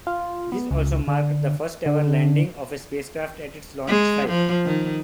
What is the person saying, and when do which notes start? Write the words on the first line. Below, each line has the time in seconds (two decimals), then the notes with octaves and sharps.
This also marked the first-ever landing of a spacecraft at its launch site.
0.07 F4
0.52 B3
0.71 C#2
1.08 D3
1.86 D3
3.87 G#3
4.29 F3
4.65 D#3